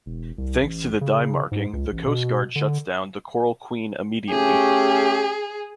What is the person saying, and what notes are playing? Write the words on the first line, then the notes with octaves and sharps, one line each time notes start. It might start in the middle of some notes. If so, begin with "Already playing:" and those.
Thanks to the dye marking, the Coast Guard shuts down the "Coral Queen" immediately.
E1
C2
A1
C#3
G#2
C#2
A1
B2
D3
A3 C#4 G4 G#4